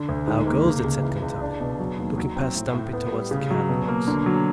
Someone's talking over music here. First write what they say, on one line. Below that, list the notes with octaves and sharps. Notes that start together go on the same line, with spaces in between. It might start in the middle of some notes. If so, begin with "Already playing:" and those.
"How goes it?" said Kentuck, looking past Stumpy toward the candle-box.
Already playing: D3
D2
G#2
A#3
C#2
C#3
E3
C#2
D4
B2
F#3
D#2
F#3
C4
A2
A2
B3
G3
C#3
F#3
B2
A#3
D3
F#3